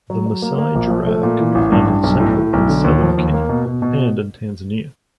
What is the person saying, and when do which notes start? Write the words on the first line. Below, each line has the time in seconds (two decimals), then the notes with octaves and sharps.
The Masai giraffe can be found in central and southern Kenya and in Tanzania.
0.10 F#3
0.26 F#3
0.42 A#3
0.58 A#3
0.75 A#1
0.90 F3
1.07 A3
1.23 A#2
1.40 E3
1.55 A1
1.72 G2
1.87 G2
2.03 B1
2.20 A2
2.37 A2
2.53 B1
2.69 D3
2.84 D#2
3.01 F3
3.18 D#2
3.34 A#3
3.49 B2
3.65 B2
3.82 B2